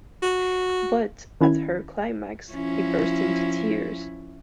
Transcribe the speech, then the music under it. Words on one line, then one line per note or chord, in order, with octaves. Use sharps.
But at her climax he burst into tears.
F#4
D#3 C#4 E4 B5 G#6
F3 C#4 E4